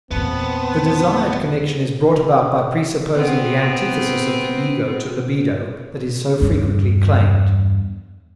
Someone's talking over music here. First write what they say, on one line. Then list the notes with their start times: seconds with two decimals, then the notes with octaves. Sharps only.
The desired connection is brought about by presupposing the antithesis of the ego to libido that is so frequently claimed.
0.11 E2 A#2 B3 C4 A5
3.15 B3 C4
6.41 E2 G2